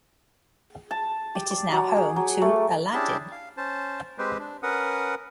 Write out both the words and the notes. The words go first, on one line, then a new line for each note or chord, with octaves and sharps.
It is now home to "Aladdin".
A5
G4
D5
F#3
G#4
F#3
A3
C#4 D4 E4 G4 G#4 A5
F5
C#4 C5 A5
G#3 C4 G4 B4 C5
D4
C#4 A#4 B4 F#5 D#6